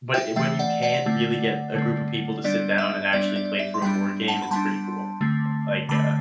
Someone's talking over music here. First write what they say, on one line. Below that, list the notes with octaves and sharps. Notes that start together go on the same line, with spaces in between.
but i when you can really get a group of people to sit down and actually play through a board game, it's pretty cool, eh, like, uh,
E5 G5
E3 A3 C4 E5 G5
D5 F#5
D5 F#5
D3 A3 C4
D3 A3 C4
G3 B3 D4 D5
E5
G3 B3 D4 D5
D5
E5
C6
G3 B3 D4 G5 B5
F#5 A5
B5
G3 B3 D4 A5 C6
D3 A3 C4
D3 A3 C4 B5 D6